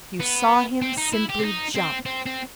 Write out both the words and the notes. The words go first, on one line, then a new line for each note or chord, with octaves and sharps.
You saw him simply jump.
B3
C4
D#4
E4
G4
C4
D#4
C4
C4
C4